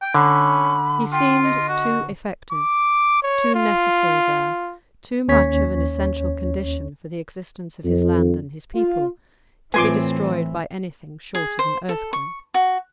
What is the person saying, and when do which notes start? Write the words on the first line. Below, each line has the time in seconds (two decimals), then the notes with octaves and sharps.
He seemed too effective, too necessary there, too much of an essential condition for the existence of his land and his people, to be destroyed by anything short of an earthquake.
0.02 G5
0.14 D3 C#4 B5
1.12 F4 G5
1.43 D#5
1.68 F#4
2.52 D6
3.23 C#5
3.55 F4
5.28 D#2 C#4 C#5 B6
7.84 F2
8.74 F4
9.74 A2 E3 C4 F4 B4 G#5 C6 D6
11.35 G#4
11.59 C5
11.89 A4
12.13 C#6
12.54 F#4